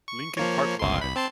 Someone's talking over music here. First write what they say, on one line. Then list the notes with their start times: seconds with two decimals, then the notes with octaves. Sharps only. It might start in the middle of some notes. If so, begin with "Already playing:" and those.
Lincoln Park Live!
0.08 C#6
0.37 F3 A#3 C#5
0.79 G1 C#2 C6
1.01 C2 B5
1.16 C4 A5 C6